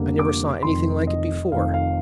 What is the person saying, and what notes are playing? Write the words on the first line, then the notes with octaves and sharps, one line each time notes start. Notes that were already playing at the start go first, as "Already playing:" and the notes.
I never saw anything like it before.
Already playing: F1 F2 D3 G3 A#3
D6
F1 F2 D#3 C6
D#5
F1 F2 D#3 F5
F5